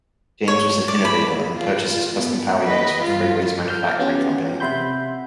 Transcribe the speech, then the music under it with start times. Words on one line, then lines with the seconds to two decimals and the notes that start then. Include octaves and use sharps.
James was an innovator, and purchased his custom power units from Freightways Manufacturing Company.
0.48 C#5
0.88 D5
1.05 B5
1.55 F4
2.17 B3
2.62 B4 D#5
3.02 G2 F4
3.68 F6 G6
3.99 B3 C#4 F4 G4
4.60 C3 E5 F#5 B5 C6 G6